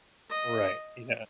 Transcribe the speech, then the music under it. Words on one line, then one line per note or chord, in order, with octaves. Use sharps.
Right. Yeah.
D#5